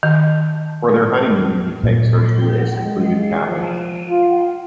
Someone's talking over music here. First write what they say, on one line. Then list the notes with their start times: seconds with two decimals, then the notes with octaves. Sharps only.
For their honeymoon, he takes her to a secluded cabin.
0.03 D#3
1.83 A#2
2.84 G#3
3.42 F3
4.09 F4